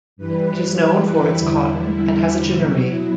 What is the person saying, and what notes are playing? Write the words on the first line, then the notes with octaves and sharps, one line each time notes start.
It is known for its cotton and has a ginnery.
G2 E3 G3 B4
G4
E4
E2 D3 G3
B2 F#3 E4